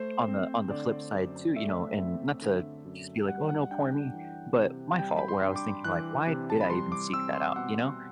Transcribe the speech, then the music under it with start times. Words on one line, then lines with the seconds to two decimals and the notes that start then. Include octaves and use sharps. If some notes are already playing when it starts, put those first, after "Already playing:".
on the on the flip side too, you know, and not to just be like, "Oh no, poor me," but my fault where I was thinking like, "Why did I even seek that out?" You know,
Already playing: A3 C5
0.28 C4
0.71 D3 D5
1.14 F#2
1.56 A3 E5
2.00 C4
2.42 D3
2.85 F#2
3.28 G3 F#5
3.49 F#5
3.71 D4 G5
4.13 E3
4.56 C3
4.99 G3 G5
5.17 B5
5.28 C6
5.42 D4
5.56 D6
5.84 E3 F#6
6.27 C3
6.50 A5
6.61 B5
6.70 G3 C6
6.92 D6
7.13 C4 E6
7.35 C6
7.56 B2 F#5